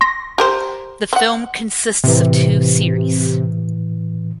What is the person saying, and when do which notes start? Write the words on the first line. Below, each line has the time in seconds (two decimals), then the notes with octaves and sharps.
The film consists of two series.
0.01 C6 A#6
0.38 G4 A#4 C5
1.13 C4 F#5
2.04 A2 C3 E3